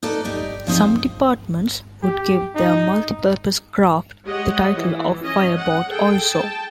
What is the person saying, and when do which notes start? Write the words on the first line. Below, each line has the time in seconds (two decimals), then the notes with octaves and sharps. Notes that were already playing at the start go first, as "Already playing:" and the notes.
Some departments would give their multi-purpose craft the title of "fireboat" also.
0.03 D#4 A4 B4 D5
0.25 D#4 G4 D5
0.67 F3 C4 D#4 G4
2.03 G4
2.55 D#4
4.24 G#3 G4 C#5 D#5 F#5
4.75 E3
5.23 C#4 D#5
5.56 F#5
5.88 G#4 A4 G5
6.31 G5 A5